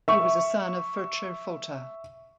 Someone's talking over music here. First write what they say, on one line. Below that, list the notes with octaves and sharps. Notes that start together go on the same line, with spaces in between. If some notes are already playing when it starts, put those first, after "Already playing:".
He was a son of Ferchar Fota.
E5 C#6